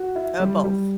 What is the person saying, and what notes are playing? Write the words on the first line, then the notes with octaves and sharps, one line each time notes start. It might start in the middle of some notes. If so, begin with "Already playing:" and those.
Uh, both.
Already playing: F#4
E4
G3
G3